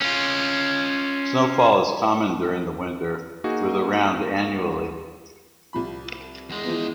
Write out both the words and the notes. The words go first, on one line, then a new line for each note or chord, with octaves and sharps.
Snowfall is common during the winter, with around annually.
C#4 F4
A#3 D#4 F#4 G#4
C2 F3 B5
E2 G#3
E3 F3 B3